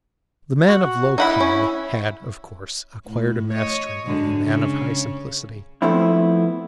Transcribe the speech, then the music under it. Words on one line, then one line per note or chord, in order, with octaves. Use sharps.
The man of low cunning had, of course, acquired a mastery over the man of high simplicity.
F#4
D#4 E4 F#5 B5
C#4
A2
C#5 D#5
F#2 D3 G#3
C#3
F3 A3 B3 C4 E4